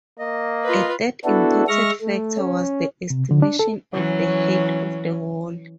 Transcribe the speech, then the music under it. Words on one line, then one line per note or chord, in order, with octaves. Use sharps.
A third important factor was the estimation of the height of the wall.
A#3 D#5
F4 B4
B3 D4 E4 F#4 A4
G#3 E5 C#6 F6 A#6
A3
C#4
C3
D3
D4
A4
E3 F#3 C#4